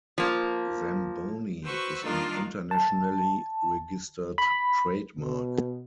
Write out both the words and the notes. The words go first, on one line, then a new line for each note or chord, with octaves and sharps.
Zamboni is an internationally registered trademark.
F3 A#3
F#4 B4 C5 C#6 E6
D#3 G3 A#3 D4 D#4 F4
A5
B5
B2